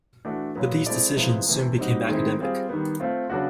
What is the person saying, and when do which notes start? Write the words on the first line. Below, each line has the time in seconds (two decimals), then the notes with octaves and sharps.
But these decisions soon became academic.
0.25 E3 A3 D4 F#4
0.55 A#2 F#3 B3
0.86 G#3 C4 E4 A4 D5
1.16 C3 F3 G#3 B3 E4
1.48 C3 E3 A3
1.78 G3 C4 D#4 F#4
2.08 D#3 G#3 C4 E4
2.39 G3 C4 F4 G#4
2.69 D#3 G3 B3
3.00 A3 C4 F4
3.30 C#3 F#3 B3 D4 F#4